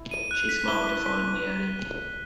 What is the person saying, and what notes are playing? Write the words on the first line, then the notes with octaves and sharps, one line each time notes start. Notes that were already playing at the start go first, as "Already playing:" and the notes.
She smiled defiantly at him.
Already playing: E4
D#7
F#6
B6
E4 G7
B6
B6